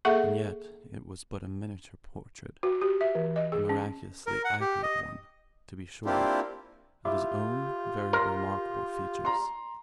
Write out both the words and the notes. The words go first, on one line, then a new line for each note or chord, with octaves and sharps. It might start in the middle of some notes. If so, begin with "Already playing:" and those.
And yet it was but a miniature portrait--a miraculously accurate one, to be sure--of his own very remarkable features.
A#3 G#4 A4 E5 F#5 C#6
F#4
G4
E5
E3
D#5
G#4
C#4
A#4
F#5
G4
D#5
A#3 C4 D4 E4 F4 G4
E4 F4 G4
A#4 C6 A#6
A#5 C6